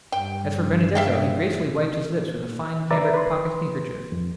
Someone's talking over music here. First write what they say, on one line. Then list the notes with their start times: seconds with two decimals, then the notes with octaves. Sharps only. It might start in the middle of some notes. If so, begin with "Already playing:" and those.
As for Benedetto, he gracefully wiped his lips with a fine cambric pocket-handkerchief.
0.12 G2 G5
0.95 E5 F5 G5
2.91 B4 D5 E5 A#5 D6 A6
3.14 B4 C6
4.12 F2